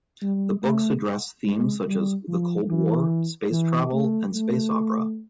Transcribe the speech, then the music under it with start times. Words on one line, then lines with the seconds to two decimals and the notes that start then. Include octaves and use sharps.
The books address themes such as the Cold War, space travel, and space opera.
0.22 G3
0.63 A3
1.45 G#3
1.86 G3
2.28 F3
2.69 E3
3.52 E3
3.93 A3
4.34 A3